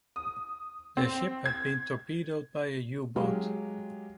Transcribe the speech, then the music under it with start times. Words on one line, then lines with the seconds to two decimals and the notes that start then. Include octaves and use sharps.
Their ship had been torpedoed by a U-boat.
0.16 D#6
0.97 C4
1.46 G#6
3.16 F#3 G#3 G4 F5